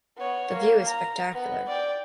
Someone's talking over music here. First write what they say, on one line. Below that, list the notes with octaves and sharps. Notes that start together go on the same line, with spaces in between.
The view is spectacular.
B3 C#5
A#3
A#5
B3
D5 G5